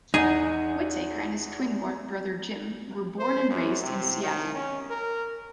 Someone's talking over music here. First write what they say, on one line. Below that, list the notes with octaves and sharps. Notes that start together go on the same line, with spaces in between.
Whittaker and his twin brother Jim were born and raised in Seattle.
E2 D#4 G#4 F#5
C5
F#2
C3
D#3
C#4
A#4